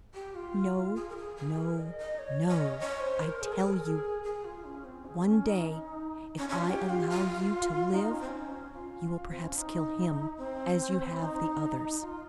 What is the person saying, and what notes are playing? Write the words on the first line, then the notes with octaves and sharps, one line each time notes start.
"No, no, no, I tell you; one day, if I allow you to live, you will perhaps kill him, as you have the others!"
G4
F4
G#4
A#4
G#4
G#4
A#4
D#5
D#5
C#5
C#5
D#5
C#5
C5
A#4
G#4
A#4
G#4
A#4
G#4
G#4
F4
C#4
C4
G#4
C4
C#4
D#4
C#4
C#4
F4
G4
F4
F4
D#4
C#4
C4
C#4
F4
C4
C#4
D#4
C4
D#4
F4